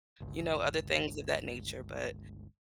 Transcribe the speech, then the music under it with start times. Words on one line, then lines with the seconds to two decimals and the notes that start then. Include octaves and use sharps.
you know, other things of that nature, but
0.20 G1 C#2